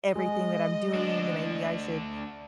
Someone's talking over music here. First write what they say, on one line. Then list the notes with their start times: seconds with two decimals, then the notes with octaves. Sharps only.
everything that I'm doing, then maybe I should
0.15 G#3 D#5
0.95 D2 D4